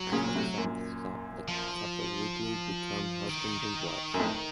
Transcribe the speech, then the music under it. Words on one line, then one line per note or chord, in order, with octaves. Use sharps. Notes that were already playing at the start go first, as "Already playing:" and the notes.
After the seventh step, the couple legally become husband and wife.
Already playing: F#3
A#2 C#3
A#2
A2 C3
F#2 A#2
F3
D#3
F#2
F2 A2